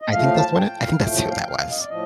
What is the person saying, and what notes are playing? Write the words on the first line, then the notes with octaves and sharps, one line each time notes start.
I think that's what it I think that's who that was.
D#5
A2 F3 A3 F5
A5
G5
F5
A2 F3 A3 G5
F5
G5
F5
F5
D#5
D5
A2 F3 D#5